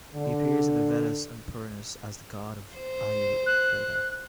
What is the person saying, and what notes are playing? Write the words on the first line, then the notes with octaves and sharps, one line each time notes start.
He appears in the "Vedas" and "Puranas" as the the god of Ayurveda.
D3
C5
F#6